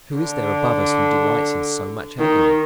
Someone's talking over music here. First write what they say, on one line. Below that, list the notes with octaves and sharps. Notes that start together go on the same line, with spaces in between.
Who is there above us who delights in so much agony?
D3
D#3